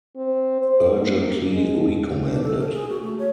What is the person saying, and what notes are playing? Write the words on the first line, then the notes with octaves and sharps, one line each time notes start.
Urgently recommended!
C4
C5
A#3
G#3
D4
A4
A#4
G#4
F#4
A3
C#5